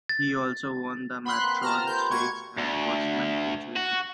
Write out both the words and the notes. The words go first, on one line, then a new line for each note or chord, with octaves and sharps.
He also won the Matron Stakes and Horseman Futurity.
A6
B3 B5 C6 F#6
A#3 C4
F4 G4 C5 A5 A#5 F6
A#4 B4 C6 G6
B2 A3 C#5 C#6 G#6
D2
F#4